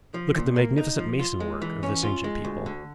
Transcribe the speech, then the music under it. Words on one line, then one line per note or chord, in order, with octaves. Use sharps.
Look at the magnificent mason-work of this ancient people!
F3
A#2
A#3
D#4
F3
F4
G#3
E3
C#4
F4
G#3
D2
D3